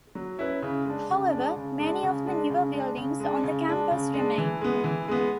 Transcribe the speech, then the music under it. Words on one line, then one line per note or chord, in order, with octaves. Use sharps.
However, many of the newer buildings on the campus remain.
F#3
C#4 E4 B4
C#3
G#3 D4
C#3
G#3 D4
C#3
G#3 D4
C#3
G#3 D4
C#3
G#3 D4
C#3
G#3 D4
C#3
G#3 D4
C#3
G#3 D4
E3
G#3 B3
E3
G#3 B3